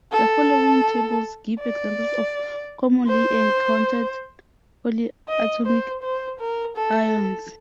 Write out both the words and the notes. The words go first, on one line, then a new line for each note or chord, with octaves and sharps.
The following tables give examples of commonly encountered polyatomic ions.
A4
D5
C5
D#5
C5
C5
A#4
A4